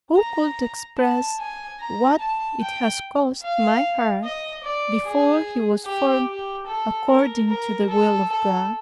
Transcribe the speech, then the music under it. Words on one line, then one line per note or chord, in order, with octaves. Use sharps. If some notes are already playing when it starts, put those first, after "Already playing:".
Who could express what it has cost my heart before he was formed according to the will of God?
A#5
A5
G#5
A#5
A5
G5
F5
D#5
D5
G#4
G4
G4
A4
A#4
A#4
A4
A4